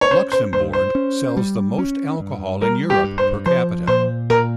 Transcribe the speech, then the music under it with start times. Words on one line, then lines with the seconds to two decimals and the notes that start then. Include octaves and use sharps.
Luxembourg sells the most alcohol in Europe per capita.
0.01 C#5
0.11 C#4 C5
0.32 C5
0.53 G2 C5
0.73 C5
0.95 C#4
1.37 G3
1.78 C#4
2.20 G2
2.62 G3 A#4
2.90 G4
3.04 G2
3.18 C5
3.46 F3 C5
3.87 A#2 C5
4.30 A#2 A#4